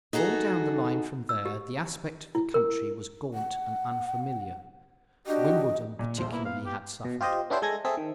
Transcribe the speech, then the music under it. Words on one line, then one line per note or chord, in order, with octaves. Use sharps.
All down the line from there the aspect of the country was gaunt and unfamiliar; Wimbledon particularly had suffered.
D#4 F#4 G#4 A4
E6
G4
E4
A#4
F#5
D4 F#4 G4 D#5
A#2
D#1 A#1 C5
A#3 B3 E4
B3 F5
G4
B2
F4 G4 C5 D#5
B3 C#4 D4 E4 G4 C5
G#3 A4 G#5 G#6 A#6
C4 G#4 A4 E5
D#3